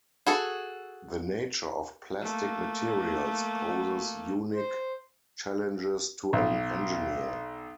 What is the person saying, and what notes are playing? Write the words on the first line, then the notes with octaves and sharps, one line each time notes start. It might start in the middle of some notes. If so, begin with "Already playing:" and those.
The nature of plastic materials poses unique challenges to an engineer.
F#4 G#4 A4
A3 A#3
C5
B1